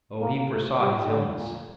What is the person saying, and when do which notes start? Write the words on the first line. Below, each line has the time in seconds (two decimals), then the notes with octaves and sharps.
Oh, he foresaw his illness!
0.21 A#3
0.50 A3
0.79 G3
1.08 D3
1.36 A#2